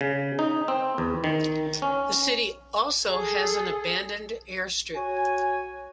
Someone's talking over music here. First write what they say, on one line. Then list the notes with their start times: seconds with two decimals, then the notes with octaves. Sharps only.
The city also has an abandoned airstrip.
0.01 C#3
0.39 D#4
0.68 C4
0.98 E2
1.24 D#3
1.82 C#4
3.05 G#4 A4
4.96 F#4 C#5 G#5